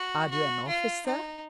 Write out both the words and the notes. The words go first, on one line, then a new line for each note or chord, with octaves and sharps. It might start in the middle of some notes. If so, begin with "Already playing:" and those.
"Are you an officer?"
Already playing: F#4
F#4
F4
D#4